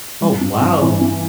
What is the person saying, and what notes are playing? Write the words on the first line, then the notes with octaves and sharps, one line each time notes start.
Oh, wow.
G3
G2
G2
E3
G2